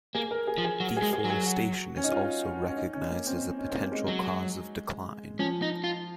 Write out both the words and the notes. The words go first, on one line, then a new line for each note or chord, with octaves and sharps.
Deforestation is also recognized as a potential cause of decline.
A#3 G#4
A#4
G#4
F3
G#4
F#3 F#4
G#4
G#3
G#4
F#3
G#4
F#4
C#4
D#4
F4
C#4
D#4
C#4
A#3
C4
C#4
C4
A#3
G#3
F#3
F3 C#4
D#4
F4